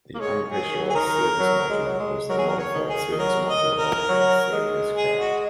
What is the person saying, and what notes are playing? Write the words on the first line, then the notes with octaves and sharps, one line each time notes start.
The unpressurized service module was the modified service module of a Soyuz craft.
A#3
G#3 C#5
F#3 G#4
D#3
F#3
G#4
D#3 A#4
F#3
G#3
F#3
G#3
F#3 A#4
G#4
A#4
C#5
D#3
G#4
D#3
F#3 A#4
D#5
D#3
A#4
F#3
G#3
G#4
F#4